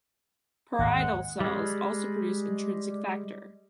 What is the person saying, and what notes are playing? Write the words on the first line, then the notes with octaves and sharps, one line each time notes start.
Parietal cells also produce intrinsic factor.
G#1 D#2 G#2 G#3 F#5
G3 G#3